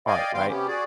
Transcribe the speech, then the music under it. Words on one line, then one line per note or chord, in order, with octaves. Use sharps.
art, right?
D5 D#5 F5 G5 G#5
D#3 B3 F5 G5 C6
C3 B3 C#4 G4
F#4 G#4 D5